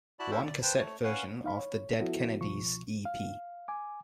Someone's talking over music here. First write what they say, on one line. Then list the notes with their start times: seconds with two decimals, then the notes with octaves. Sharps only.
One cassette version of the Dead Kennedys e.p.
0.19 E4 F#4 D5 A5 B5
0.31 C#4 D4 E4 G4 A4 C5
0.45 D5
0.63 B4 C5 G5 A5
0.80 A3 C#5
1.04 C#4 B4 C#5 F5 F#5 G#5
1.44 D#4 F5 B5
1.59 C#5
2.00 F3 B3 E4 F#4 A4
2.41 C2 B2 F3 C#6
3.05 F5
3.68 G#5 D6